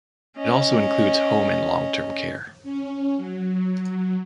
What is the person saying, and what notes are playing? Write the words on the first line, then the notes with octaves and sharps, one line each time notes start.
It also includes home and long-term care.
C#4 D#5
C#4
F#3